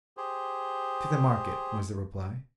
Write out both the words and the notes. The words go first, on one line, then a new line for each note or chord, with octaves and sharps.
'To the market,' was the reply.
G4 G#4 C5